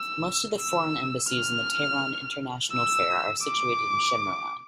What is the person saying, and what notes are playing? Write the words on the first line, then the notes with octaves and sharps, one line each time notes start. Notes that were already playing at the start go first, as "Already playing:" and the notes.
Most of the foreign embassies and the Tehran International Fair are situated in Shemiran.
Already playing: E6
E6
F6
E6
D6